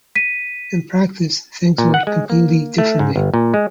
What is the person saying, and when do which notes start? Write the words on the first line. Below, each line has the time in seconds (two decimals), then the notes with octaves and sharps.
In practice, things worked completely differently.
0.15 B6 D#7
1.78 A#2
1.94 F#5
2.07 G#3
2.30 A#3
2.78 A3
2.99 G#2
3.16 G1
3.34 A#2
3.54 G#3